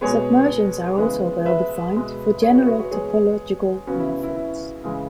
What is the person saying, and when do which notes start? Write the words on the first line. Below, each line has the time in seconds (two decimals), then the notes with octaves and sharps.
Submersions are also well defined for general topological manifolds.
0.01 B2 G#3 B3 G#4 C#5
0.98 C#3 E3 G#3 B3
1.46 B4 E5
1.95 B2 G#3 B3
2.42 G#4 C#5
2.54 F#4 B4
2.66 F#4 B4
2.79 F#4 B4
2.91 E3 G#3 B3 G#4 C#5
3.87 C#3 F#3 B3 C#4 F#4
3.99 E4
4.23 E4
4.36 E4
4.84 C#3 E3 G#3